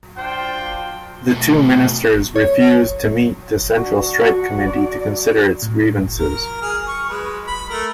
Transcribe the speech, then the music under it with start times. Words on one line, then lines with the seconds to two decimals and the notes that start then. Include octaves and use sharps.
The two ministers refused to meet the Central Strike Committee to consider its grievances.
0.17 D4 F4 C5 G5
1.28 B2 A3
2.36 C#5
3.75 D4 F#4
4.22 F#4 B5
4.63 D5 B5
5.63 A2
6.18 A#4
6.62 G#4 F6
6.88 C#6
7.09 G#3 B4
7.47 B5
7.70 A3 A#4